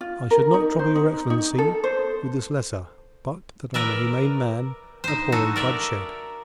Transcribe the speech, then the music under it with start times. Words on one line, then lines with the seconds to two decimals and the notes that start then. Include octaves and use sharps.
I should not trouble your excellency with this letter but that I am a humane man, abhorring bloodshed.
0.01 F4
0.31 A#4
0.54 D#4
0.79 C5
0.95 D#4
1.30 D#4
1.58 A4
1.84 C5
3.74 A#4 B4 D5 E5
5.04 D#4 C5
5.32 D#4 F#4 A4
5.56 A#4 D5 E5